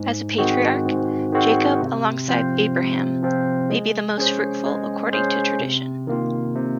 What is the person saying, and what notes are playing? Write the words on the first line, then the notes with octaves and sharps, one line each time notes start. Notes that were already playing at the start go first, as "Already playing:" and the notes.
As a patriarch, Jacob, alongside Abraham, may be the most fruitful according to tradition.
Already playing: G#2
D#3 G#3 C4 F#4
G#2
D#3 G#3 C4 F#4
C3
F3 C4 F4 C5
C3
F3 C4 F4 C5
G#3
C#4 G#4 C5
G#3
C#4 G#4 C5
C3
D#3 A#3 F4
C3